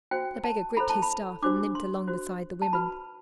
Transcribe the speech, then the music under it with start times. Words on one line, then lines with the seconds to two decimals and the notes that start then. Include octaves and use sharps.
The beggar gripped his staff and limped along beside the women.
0.11 F#4 C5 G5
0.44 A5
0.77 E4 A4 C5 B5
0.90 A5
1.02 B5
1.42 D4 F#4 C5 D6
1.75 C6
2.07 F#4 C5
2.62 A5
2.73 F#4 B4 B5